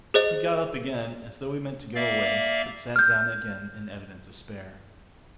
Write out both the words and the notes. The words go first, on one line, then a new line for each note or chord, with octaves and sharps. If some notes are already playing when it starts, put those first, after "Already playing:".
He got up again as though he meant to go away, but sat down again in evident despair.
G#4 C5 D#5
A#3 D5 E5 F5
F6 G6